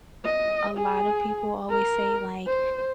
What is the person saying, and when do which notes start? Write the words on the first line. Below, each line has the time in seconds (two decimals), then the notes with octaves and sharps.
a lotta people always say, like
0.25 D#5
0.77 G#4
1.70 A#4
2.47 C5